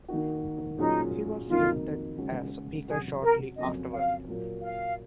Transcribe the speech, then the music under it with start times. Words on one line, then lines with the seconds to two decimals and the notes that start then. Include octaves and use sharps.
He was selected as speaker shortly afterward.
0.08 D#3 A#3 D#4 F#4
0.78 A#2 F#3 C#4 D#4 F4 G#4
1.48 F2 D#3 F#3 A#3 D#4 F4
2.18 C#3 G#3 C#4 F#4
2.88 C3 F#3 C#4 F#4 G#4
3.23 A#4
3.58 F2 C#3 F#3 A#3 C#4 D#5
3.93 F5
4.28 A#2 F#3 A#3
4.62 F5